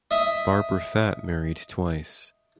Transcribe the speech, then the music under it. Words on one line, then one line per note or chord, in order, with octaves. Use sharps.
Barbara Fatt married twice.
D#5 E5